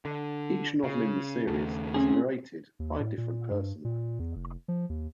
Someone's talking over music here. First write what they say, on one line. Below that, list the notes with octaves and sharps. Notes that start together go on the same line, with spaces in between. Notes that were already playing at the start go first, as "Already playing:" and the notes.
Each novel in the series is narrated by a different person.
D3
C#3
D#2 C#3 A3
C4 C#4 G#4
D#2
A2
A#2
G2
A#2
E2
F1
F3
D#2